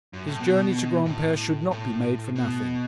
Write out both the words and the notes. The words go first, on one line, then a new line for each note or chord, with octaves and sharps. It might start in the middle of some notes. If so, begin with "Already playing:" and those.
His journey to Granpere should not be made for nothing.
F#2
A2
B2
A2
A2
B2